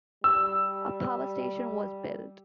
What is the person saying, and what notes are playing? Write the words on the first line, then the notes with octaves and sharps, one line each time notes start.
A power station was built.
G3 E6